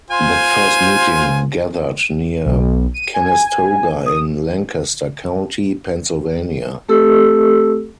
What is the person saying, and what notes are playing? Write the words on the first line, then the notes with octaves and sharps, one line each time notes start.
That first meeting gathered near Conestoga in Lancaster County, Pennsylvania.
F4 C5 G#5
B1
D#7
G#5
D#6
A3 C4 G4 A4 E6